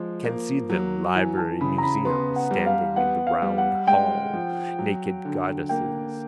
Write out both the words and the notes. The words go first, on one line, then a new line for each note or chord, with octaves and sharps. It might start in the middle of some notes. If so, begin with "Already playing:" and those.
Can see them library museum standing in the round hall, naked goddesses.
Already playing: F3 G#3
A#3
F#3
E3 G#5
A5
C#3 B5
A#5
B5
B3 C6
F#5
G3
F5
B3 F#5
F5
G3
F#5
G#3 G5
F3
F#3
D3
A#3 G5